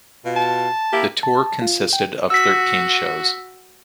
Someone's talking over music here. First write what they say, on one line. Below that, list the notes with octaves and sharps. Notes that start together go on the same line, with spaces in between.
The tour consisted of thirteen shows.
B2 F4
A5
A#3 E4 G4
A5
F4
G5
F#4 E6 B6